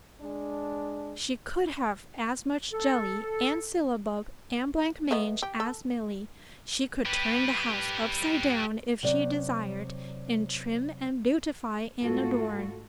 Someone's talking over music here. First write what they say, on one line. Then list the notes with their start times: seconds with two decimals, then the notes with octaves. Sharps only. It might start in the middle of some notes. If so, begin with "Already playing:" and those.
She could have as much jelly and syllabub and blanc-mange as Milly, she could turn the house upside down if she desired, and trim and beautify and adorn.
0.21 G#3 D4
2.73 A4
5.11 A3 B3 D#5
5.42 G4
5.60 A4
7.05 G4 B4
9.03 C3 F#3 D5
12.03 G#2 A3 F4 F#4 A4